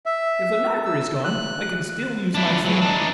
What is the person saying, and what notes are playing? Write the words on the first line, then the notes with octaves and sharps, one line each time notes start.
"If the knocker is gone, I can still use my feet."
E5
E6
F#6
D4 E4
E3 F#3
D4 D#4